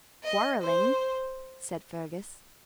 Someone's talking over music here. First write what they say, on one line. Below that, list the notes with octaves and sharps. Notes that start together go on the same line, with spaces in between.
"Quarrelling," said Fergus.
D#5
C5